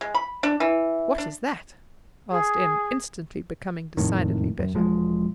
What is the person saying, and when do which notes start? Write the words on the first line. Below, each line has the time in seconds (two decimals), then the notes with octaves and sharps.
"What is that?" asked Em, instantly becoming decidedly better.
0.01 G#3
0.14 B5
0.43 D4
0.60 E3
1.18 D4
2.32 G#4
3.97 E1 F2 A2 D#3
4.59 F#2
4.75 E1 F3 G#3